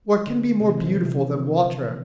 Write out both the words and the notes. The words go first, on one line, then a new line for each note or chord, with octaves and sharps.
What can be more beautiful than water?
D3
C3
E3
F3
E3
D3
C3